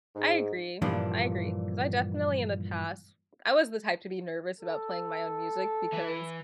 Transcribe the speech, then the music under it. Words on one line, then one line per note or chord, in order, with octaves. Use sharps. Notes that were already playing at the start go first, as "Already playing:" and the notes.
I agree. I agree. 'Cause I definitely, in the past I was the type to be nervous about playing my own music, because
G#2
G2 A#2 E3 F3 D4
A4
E3 B4